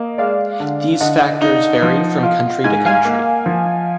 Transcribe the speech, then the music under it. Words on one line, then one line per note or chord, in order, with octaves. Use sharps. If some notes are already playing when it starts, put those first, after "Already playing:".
These factors vary from country to country.
Already playing: A#3 D#5
G#3 D5 F5
D3
D3 D#5 F#5
D#4
F3
F4
G#2 G#5
F5 G#5
A#3
F3